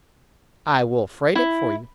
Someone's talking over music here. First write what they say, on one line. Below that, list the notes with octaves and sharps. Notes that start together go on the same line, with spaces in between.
"I will freight it for you."
E4